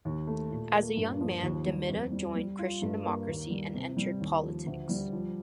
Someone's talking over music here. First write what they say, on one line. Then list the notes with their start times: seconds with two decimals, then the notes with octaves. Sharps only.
As a young man De Mita joined Christian Democracy and entered politics.
0.05 D#2
0.27 A3
0.51 A#2
0.74 A#3
0.97 G2
1.21 F3
1.43 D#2
1.67 G3
1.89 F2
2.12 G3
2.36 G3
2.59 F4
2.82 G2
3.04 A#3
3.27 D#2
3.50 G3
3.74 C3
3.97 G3
4.20 D#2
4.42 F3
4.66 D2
4.89 G3
5.12 F3